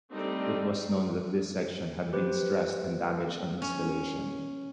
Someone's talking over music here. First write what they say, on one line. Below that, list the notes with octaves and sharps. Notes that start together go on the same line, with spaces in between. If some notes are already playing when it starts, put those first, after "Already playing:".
It was known that this section had been stressed and damaged on installation.
G3 A3 C4 D4 D#4 G4
G4 B4 C5
C#4